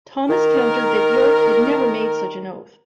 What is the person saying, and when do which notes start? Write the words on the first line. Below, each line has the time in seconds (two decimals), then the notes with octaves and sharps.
Thomas countered that York had never made such an oath.
0.29 D#3 A#4